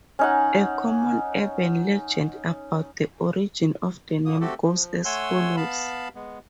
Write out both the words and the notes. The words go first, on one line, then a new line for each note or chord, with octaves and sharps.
A common urban legend about the origin of the name goes as follows.
C#4 D#4 F#5
A#2 D3 A#3 D#6
A3 C4 F#4 G4 A4
F3
A3 C#5 F#5 G#5 C6 E6
B3 F5 A5 B5
G#3 B3